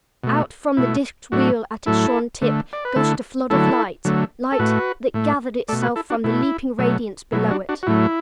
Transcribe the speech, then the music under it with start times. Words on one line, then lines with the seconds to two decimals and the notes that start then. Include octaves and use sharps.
Out from the disked wheel at its shorn tip gushed a flood of light--light that gathered itself from the leaping radiance below it.
0.24 B2 A3
0.77 B2 A3 E4
1.32 A2 F#3 A3 D4 F#4
1.86 A2 F#3 A3 E4 A4
2.42 D3 A3
2.73 D5
2.85 B4
2.96 D3 A3 E4 A4
3.50 D3 F#3 A3 E4 A4
4.05 D3 F#3 A3
4.52 A4
4.59 A2 A3 F#4 B4
5.14 A2 A3
5.68 A3 A4 D5
5.72 B2
5.82 F#4 B4
5.96 E4 A4
6.10 D4 F#4
6.24 B2 A3 E4
6.79 B2 F#3 A3
7.32 B2 F#3 A3 E4
7.51 D4 F#4
7.69 D4 F#4
7.83 F#4
7.87 A2 F#3 A3 E4